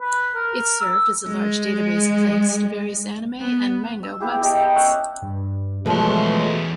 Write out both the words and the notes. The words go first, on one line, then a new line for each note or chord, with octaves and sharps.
It served as a large database of links to various anime and manga websites.
B4
A#4
E6
G#3
B3
E6
B3 E4 G4 G#4
G4 D#5 G5 A5
C#4 E5 F#5
G2
E2 B2 F3 F#3 G#3 A3 B4 C6